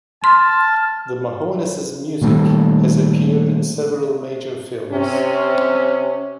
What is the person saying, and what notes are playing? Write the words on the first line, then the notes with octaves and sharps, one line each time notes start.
The Mahones' music has appeared in several major films.
A5 C6 F6
A#2 D#3 G3 A3
C3 C#4